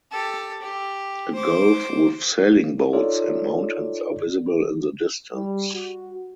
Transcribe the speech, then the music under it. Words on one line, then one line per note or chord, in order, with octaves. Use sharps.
A gulf with sailing boats and mountains are visible in the distance.
G4 A4
G4
C5 D6
D#4 F4 A4 C#5 D5
G3
F#4